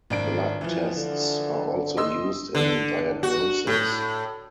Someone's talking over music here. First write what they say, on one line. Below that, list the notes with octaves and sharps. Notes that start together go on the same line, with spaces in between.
Blood tests are also used in diagnosis.
G#1 D4 D7
E3 F3
D3
D#5 C6 E6
D3
F#4
A2